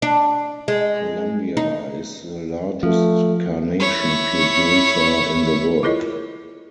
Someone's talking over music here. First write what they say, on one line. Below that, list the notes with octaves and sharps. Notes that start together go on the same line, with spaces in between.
Colombia is the largest carnation producer in the world.
D4
G#3
D#4
F3 A3
E4 C#5
E4 F4 G#4 A#4 C#5 D#5